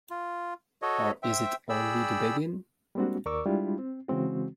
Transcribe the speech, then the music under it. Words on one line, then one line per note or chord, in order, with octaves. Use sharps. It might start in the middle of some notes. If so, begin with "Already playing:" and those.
Or is it only the begin-?
F4
F#4 A4 C#5 D#5
C5 E5 G5
G#4 D5 G5 B5 E6
G3 G#3 A#3 C4 D4 F#4
D#2 A#4 D5 C#6 D6 E6
G3 G#3 D4 E4 F4
C4
C#3 E3 G#3 C4 F#4